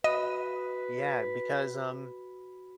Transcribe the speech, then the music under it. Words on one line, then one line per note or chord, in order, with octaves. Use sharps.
Yeah, because, um
F#4 B4 D#5 B5